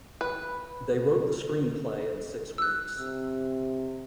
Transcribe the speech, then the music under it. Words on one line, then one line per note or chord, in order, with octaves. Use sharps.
They wrote the screenplay in six weeks.
B4
E6 F#6
C3